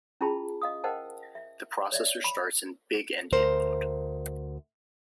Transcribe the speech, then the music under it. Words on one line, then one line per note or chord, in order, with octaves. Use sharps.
The processor starts in big-endian mode.
C#4 E4 F4 G#4 A5 B5
D#5 F5 D#6
A#4 C5 D#5 F#5 G5 A5
E5
C#5 D5 E5
B5
D2 A#4 C5